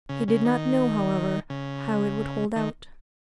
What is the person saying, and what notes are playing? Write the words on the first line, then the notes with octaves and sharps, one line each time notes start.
He did not know, however, how it would hold out.
C#3
C#3
D#3
C#3
D#3